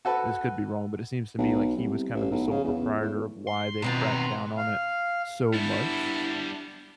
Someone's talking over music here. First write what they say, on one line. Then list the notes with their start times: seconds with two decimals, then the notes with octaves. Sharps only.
this could be wrong, but it seems to me like he was kinda the sole proprietor of why they cracked down on it so much
0.05 F#4 A4 B4
1.38 B1
1.77 C2
2.14 A1
2.32 B1
2.51 C#3
2.64 E2
3.01 A2
3.47 C6
3.82 E2 B2 D#3 C4 F4 B4 A#5
4.57 F5
5.53 G3 B3 D4 E4